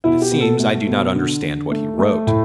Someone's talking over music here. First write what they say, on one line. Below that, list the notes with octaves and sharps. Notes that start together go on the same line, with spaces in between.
But it seems I do not understand what he wrote.
B2 E4
G4
B2
A4
A3
B2
D3
D3
A3
A3
A2